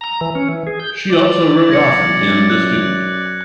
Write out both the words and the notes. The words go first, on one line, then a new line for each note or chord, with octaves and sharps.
She also wrote often in ‘The Student’.
A#5
E3
C#4
E3
G#4
G6
D5
B1 F#2 G#6 A#6 C#7
F#6